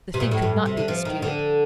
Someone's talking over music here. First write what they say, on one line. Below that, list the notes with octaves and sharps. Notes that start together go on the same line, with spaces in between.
The thing could not be disputed.
C3
A#2
A2
G2
C3
D3
F3
D#3
D3